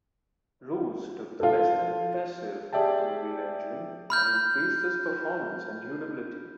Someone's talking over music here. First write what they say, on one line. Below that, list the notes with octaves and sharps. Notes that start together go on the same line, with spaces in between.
Roos took the "less than impressive" automobile engine and increased its performance and durability.
F4 A4
G4 G#4 D5 E5 G5 A5
B5 F6 G6